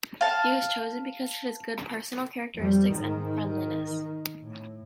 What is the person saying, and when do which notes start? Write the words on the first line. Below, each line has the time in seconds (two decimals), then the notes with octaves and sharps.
He was chosen because of his good personal characteristics and friendliness.
0.21 F5 A5
2.56 F2 G3
2.93 G#2 D#3
3.46 D#3
4.40 A2